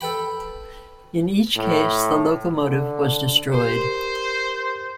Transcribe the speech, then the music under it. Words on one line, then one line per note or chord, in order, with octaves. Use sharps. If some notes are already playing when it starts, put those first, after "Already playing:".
In each case the locomotive was destroyed.
A4 B4 G5 B5
A2
D3
G4 A#4 C5